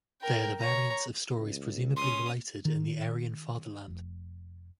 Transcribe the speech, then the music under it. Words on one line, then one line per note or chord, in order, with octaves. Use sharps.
They are the variants of stories presumably related in the Aryan fatherland.
A#4 G5
C#5 A#5
C#2
C#4 C6 D#6
D#3
F1